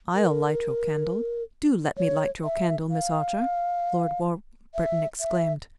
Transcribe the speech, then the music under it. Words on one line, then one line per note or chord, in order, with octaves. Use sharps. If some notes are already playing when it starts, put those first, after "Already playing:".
"I'll light your candle; do let me light your candle, Miss Archer!" Lord Warburton exclaimed.
A#4
C#5
E5
F5
E5
E5